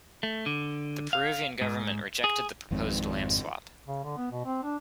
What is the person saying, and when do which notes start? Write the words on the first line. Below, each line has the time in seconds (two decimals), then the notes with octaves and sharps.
The Peruvian government rejected the proposed land swap.
0.23 A3
0.46 D3
1.13 F5
1.61 G#2
2.24 G#4
2.71 G#1 F2 G#2 C4
3.87 C#3
4.04 D3
4.17 B3
4.31 B2
4.45 C4
4.63 D4